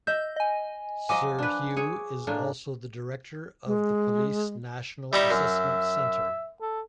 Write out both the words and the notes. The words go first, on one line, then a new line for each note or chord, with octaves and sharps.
Sir Hugh is also the director of the Police National Assessment Centre.
D#5 E5 G6
D#5 G#5
F3 F#3 D#5 G#5 D6
D4 B4
G#4 C#5
A2 A#3 D4
G#3
G3 D#4 E4 E5
F#2 E5
A4